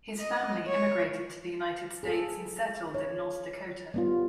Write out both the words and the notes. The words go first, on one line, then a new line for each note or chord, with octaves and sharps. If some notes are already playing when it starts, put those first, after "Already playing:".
His family immigrated to the United States and settled in North Dakota.
D#5
C#5
G#4 A4
C#5
G3 B3 F4